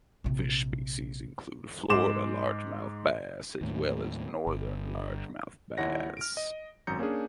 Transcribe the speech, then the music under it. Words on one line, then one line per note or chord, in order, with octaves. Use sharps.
Fish species include Florida largemouth bass as well as Northern largemouth bass.
A#1 C3
G#2 C6 D6 E7
D#2 A2
G1
D#2 E4 C#5 F#5 A#6
F6 D7
D#5
G#1 F#2 A#5 G6 C#7
A#3 C#4 D4 G#4